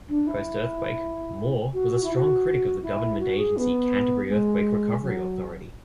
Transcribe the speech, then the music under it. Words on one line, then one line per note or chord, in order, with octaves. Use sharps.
Post-earthquake, Moore was a strong critic of the government agency Canterbury Earthquake Recovery Authority.
D4
E4
F#4
F#4
E4
F#4
E4
F#4
G#4
B3
G#3
F#3